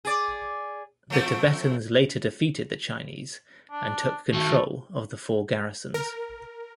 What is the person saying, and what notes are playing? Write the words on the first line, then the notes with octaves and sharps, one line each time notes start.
The Tibetans later defeated the Chinese and took control of the Four Garrisons.
G#4 D5
F3 A3 C4
D4
D#3 A3 F#4
A#4